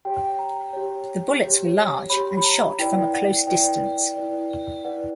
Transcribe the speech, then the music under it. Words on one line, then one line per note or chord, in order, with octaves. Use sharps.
The bullets were large and shot from a close distance.
G4 C#5 G5
A#5
G4 C#5
G4 C#5
G4 C#5 B5
B5
A#5
E4 B4 D5 G5
F#5
E4 B4 D5 G5
E4 B4 D5
E4 B4 D5 F#5